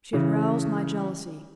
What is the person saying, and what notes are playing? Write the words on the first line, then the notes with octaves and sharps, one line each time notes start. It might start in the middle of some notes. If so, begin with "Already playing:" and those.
She had roused my jealousy.
C#3 E3